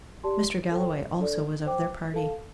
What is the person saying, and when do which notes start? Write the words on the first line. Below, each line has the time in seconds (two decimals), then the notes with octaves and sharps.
Mr. Galloway also was of their party.
0.24 G4 D5 A5 C6
0.71 A4 C5 G5
1.19 D4 A4 D5
1.66 C5 G5 D6
2.14 A4 F5 A5